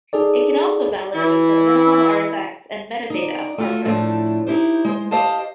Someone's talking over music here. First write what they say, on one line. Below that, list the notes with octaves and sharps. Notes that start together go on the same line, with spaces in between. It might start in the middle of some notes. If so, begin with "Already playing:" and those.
It can also validate that minimum artifacts and metadata are present.
D#4 G#4 A4 D5
E3 E4
D#4 D5
A3 F4 F#4
A2 F3 A3 D4
D#4 E4 G4 C5
G#3 C5
G4 C5 D#5 F5 A5